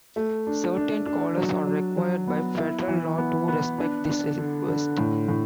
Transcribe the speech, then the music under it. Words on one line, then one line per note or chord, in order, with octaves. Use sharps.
Certain callers are required by federal law to respect this request.
A3
D4
D4
D4
F#3
F#3
F#3
B3
E4
E3
B3
B3
D4
D4
D3
D3
A2
A2